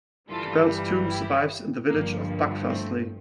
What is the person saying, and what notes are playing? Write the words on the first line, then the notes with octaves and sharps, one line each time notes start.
Cabell's tomb survives in the village of Buckfastleigh.
G1 G2 E3 G3 F4 A4
E4 G4
G1 G2 F3 A#3
A#3
A3 C4